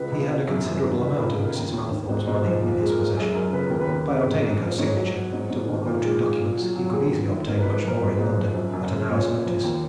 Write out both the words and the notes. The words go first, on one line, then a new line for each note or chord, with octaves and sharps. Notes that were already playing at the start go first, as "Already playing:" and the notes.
He had a considerable amount of Mrs. Mallathorpe's money in his possession; by obtaining her signature to one or two documents he could easily obtain much more in London, at an hour's notice.
Already playing: C#2 B4
C#2
B2
F#2
F#2
D#3
C#2 B4
A#4
C#2
G#4
C#3 A#4
D#2
D#2
D#3
G#2
G#2
F3
A#2
G#3
A#4
G#3
F#2 G#4
F#2 A#4
C#3 B4
D#2 A#4
B4
D#2
C#3
G#2
G#2
F3
G#2 C#5
F#3
F#3
G#2
G#2
D#3
A#2 A#4
G#3
G#3
A#2
F#3
F#3
D#2 G#4
D#2
D#3
G#2 A#4
G#2 B4
A#4
F3 A#4
G#2 B4
G#2
F3
F#2
F#2
C#3
A#2 C#5
A#2
F3
D#2